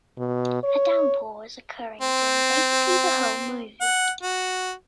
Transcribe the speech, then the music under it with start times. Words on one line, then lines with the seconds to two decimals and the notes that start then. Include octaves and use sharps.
A downpour is occurring during basically the whole movie.
0.18 B2
0.63 C#5
2.02 C4
3.81 F#5
4.22 F#4